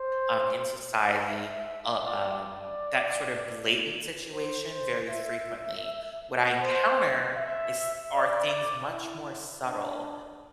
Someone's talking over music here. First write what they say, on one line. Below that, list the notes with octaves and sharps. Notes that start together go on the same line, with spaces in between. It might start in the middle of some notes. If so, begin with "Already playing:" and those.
um, in society, uh, um, that sort of blatant situation very frequently. What I encounter is are things much more subtle,
Already playing: C5
E5
D5
D5
C5
C5
E5
C5
E5
D5
E4
D4